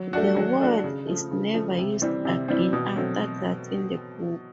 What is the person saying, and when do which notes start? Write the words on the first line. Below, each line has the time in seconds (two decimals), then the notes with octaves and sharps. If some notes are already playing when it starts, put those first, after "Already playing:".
The word is never used again after that in the book.
Already playing: F#3
0.13 A3 D4 F#4
0.36 F#3
0.60 A3 D4 F#4
0.84 C#3
1.07 F3 A3
1.31 C#3
1.54 F3 A3
1.79 C3
2.02 E3 G3 C4
2.25 C3
2.48 E3 G3 C4
2.73 B2
2.96 F#3 A3 C4